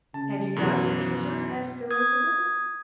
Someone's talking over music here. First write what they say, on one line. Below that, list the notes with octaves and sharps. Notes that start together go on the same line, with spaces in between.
"Have you got your answer?" asked Elizabeth.
C#3 A5
F#2 B2 E3
D#6 G#6